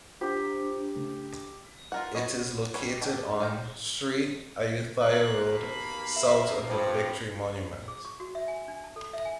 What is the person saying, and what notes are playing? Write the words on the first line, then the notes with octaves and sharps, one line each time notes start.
It is located on Sri Ayutthaya Road, south of the Victory Monument.
D4 F4 G4 C5 A#5
C#3 A3
F4 A#4 F#5
F#4 B4 C#5 D#5
G3 B4 C#5
D#3 D4 G4 G5
G#3 F5 G5 A#5
D#2 B2 A#3 F#6
B5
E5
G2 F3 C4 C#5
G#4
C#6
F#4
E5
G#5
D4
A5
A4
E5
G#5